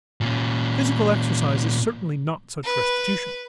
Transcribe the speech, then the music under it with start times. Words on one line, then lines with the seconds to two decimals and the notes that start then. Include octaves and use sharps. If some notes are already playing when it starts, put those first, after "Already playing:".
Physical exercise is certainly not such restitution.
0.21 A#2 C#4
2.64 B4